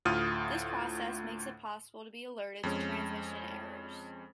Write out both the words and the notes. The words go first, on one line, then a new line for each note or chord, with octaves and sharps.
This process makes it possible to be alerted to transmission errors.
D2 A2 F4 D#6 F6 D#7
F2 G#3 C#4